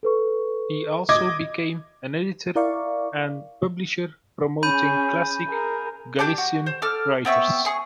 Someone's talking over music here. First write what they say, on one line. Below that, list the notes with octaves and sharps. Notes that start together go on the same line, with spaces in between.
He also became an editor and publisher, promoting classic Galician writers.
A4 B4 C#6
D#5 D6 G#6
E4 A#4 D5 F5 C#6
C#4 G#4 B5 G6 D#7
G#4 A#4
D4 G4 A5 D6
F#4
C5
A4 D6 F6
B3 C4 E5 C#6
G#4 C#6